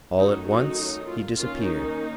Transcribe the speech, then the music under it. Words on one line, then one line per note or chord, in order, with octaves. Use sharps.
All at once he disappeared.
D#3 F#3 A3 C#4 D#4 F#4
D#4 F#4
F4
D#3 A#3 C#4 F4
D#4